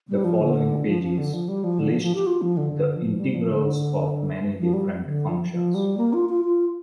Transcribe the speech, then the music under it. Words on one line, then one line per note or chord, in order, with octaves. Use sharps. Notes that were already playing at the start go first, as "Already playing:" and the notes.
The following pages list the integrals of many different functions.
G3
F3
D3
F3
F3
D3
F3
G3
F3
D3
F3
F3
G4
F4
F3
D3
D3
F3
G3
F3
D3
F3
G3
D3
F3
F3
G3
A#3
F4
F4
F4